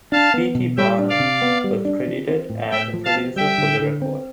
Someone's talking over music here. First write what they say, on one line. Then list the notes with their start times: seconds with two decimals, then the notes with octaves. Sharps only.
P. T. Barnum was credited as a producer for the record.
0.12 D4 F5 A5
0.34 B3
0.55 B2
0.77 G3 E5 G5
0.99 D4
1.09 D5 F5
1.20 C3
1.42 B3
1.64 G3
1.85 D4
2.07 F3
2.29 C4
2.50 A2
2.71 A3 E5 G5
2.93 F3
3.05 F5 A5
3.15 C4
3.36 G3 E5 G5
3.58 D3
3.80 D3
4.02 C4